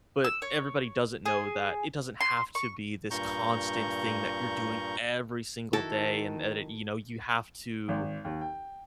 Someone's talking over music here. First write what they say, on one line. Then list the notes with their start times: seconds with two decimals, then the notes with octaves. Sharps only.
but everybody doesn't know that it doesn't have to be this constant thing that you're doing every single day and and that it you know, you have to
0.24 E6
0.42 C#5
1.26 G#4
2.21 C6
2.55 C#6
3.11 G2 A#2 A#5 C#6 G6
5.73 D#3 E4 F#4 A4 A5
7.88 G#1
8.25 D#2
8.41 G5